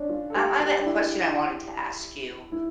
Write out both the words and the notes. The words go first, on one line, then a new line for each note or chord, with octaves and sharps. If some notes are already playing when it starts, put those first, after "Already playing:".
Um, I have a question I wanted to ask you.
Already playing: C#4 D4
F4
A4
G4
G4
D4
E4
E4